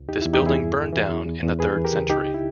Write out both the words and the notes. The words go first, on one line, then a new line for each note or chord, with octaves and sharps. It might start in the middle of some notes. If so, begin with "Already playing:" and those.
This building burned down in the third century.
Already playing: C#2
E2 D#4 G4
E4
E2
D#4 G4
E2 E4 G#4
G2
E3
E3
E2
E2
E2
D#2 G#4 B4
E3
G4 A#4
C#3
C#2 D#4 G4
E4